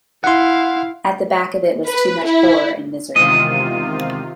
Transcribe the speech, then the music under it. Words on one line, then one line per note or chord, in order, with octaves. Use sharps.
At the back of it was too much horror and misery.
E4 F5 F#5 C6
B4
E4
E2 C3 D#3 G#3 F4 D#5